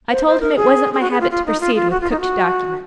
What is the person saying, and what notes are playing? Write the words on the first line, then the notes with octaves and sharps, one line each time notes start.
I told him it wasn't my habit to proceed with cooked documents.
C5
C5
A#4
G#4
G#4
F#4
G#4
F4
F4
D#4
F4
F4
F#4
F4
D#4
F#4